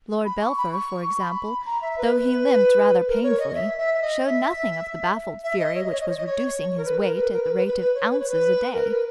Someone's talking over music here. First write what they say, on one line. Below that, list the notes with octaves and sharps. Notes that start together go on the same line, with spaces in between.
Lord Belpher, for example, though he limped rather painfully, showed nothing of the baffled fury which was reducing his weight at the rate of ounces a day.
B5
C#6
B5
C#6
B5
A#5
E5
B4
A#4
C#5
D#5
D#5
E5
E5
E5
D#5
E5
E5
D#5
C#5
D#5
C#5
D#5
C#5
D#5
C#5
A#4
B4
A#4
B4
A#4
B4
B4
B4
B4
C#5
B4
C#5
B4
A#4
B4